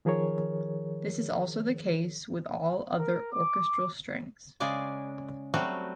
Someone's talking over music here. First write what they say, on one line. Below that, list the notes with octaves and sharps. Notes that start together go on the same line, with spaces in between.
This is also the case with all other orchestral strings.
D#3 F3 G#4 A#4 C#5
A#4
D6
C#3 G#3 D5 G#5
F#3 G3 A3 C4 F#4